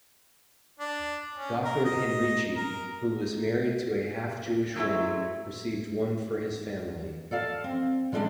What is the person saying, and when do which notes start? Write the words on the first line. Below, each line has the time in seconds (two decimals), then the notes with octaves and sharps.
Gotthard Heinrici, who was married to a half-Jewish woman, received one for his family.
0.80 D4
1.36 C#4
1.65 A#4
1.85 D#5
2.55 A#4
4.76 F#3 G#3 A3 E4
7.31 A4 D5 F5 A5
7.64 C4
8.12 D3 G3 G#3 C4 D4 E4